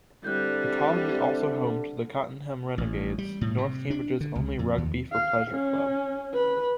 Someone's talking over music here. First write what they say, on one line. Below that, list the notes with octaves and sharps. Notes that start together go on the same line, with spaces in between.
The college is also home to the Cottenham Renegades, north Cambridge's only rugby-for-pleasure club.
D3 G3 C4 E4 F#6 G6
A1
G3
A2
C3
D4
D3
C#2
F2
D#2
F5
C#4
B4